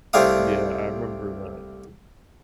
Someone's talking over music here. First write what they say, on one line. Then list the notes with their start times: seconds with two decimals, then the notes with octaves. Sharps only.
Yeah, I remember that.
0.13 C2 A3 C4 D4 F5 D#6